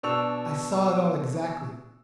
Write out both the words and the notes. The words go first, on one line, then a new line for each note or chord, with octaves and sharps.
I saw it all exactly.
B2 D4 C#6 E6 F7